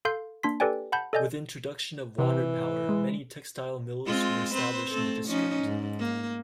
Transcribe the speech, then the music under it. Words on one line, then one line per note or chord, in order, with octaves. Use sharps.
With the introduction of water power, many textile mills were established in the district.
A4 F5 C6 G6 C7
A#3 D4 C6 B6
G4 A4 B4 D5 G5 G#5
F#5 A5 B5 G6
A4 D5 D#5 G#5 G6
C3 E3
G#3
G#3 C4 F4
C4 B4 C5
A3 C4 A4
F3 C#4 D#4
G#2
A#3